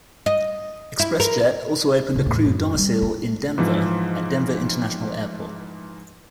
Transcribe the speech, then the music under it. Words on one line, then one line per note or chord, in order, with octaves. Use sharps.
ExpressJet also opened a crew domicile in Denver, at Denver International Airport.
D#5
E4
A#4
C#2 C#3
E2 A2
F#2
G3 C4
D#4
G#2 E3 F3